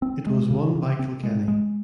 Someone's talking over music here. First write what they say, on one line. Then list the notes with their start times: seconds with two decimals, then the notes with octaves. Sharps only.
It was won by Kilkenny.
0.02 C4
0.27 G#3
0.51 C#3
0.75 C#3
0.99 C4
1.23 G#3
1.48 G#3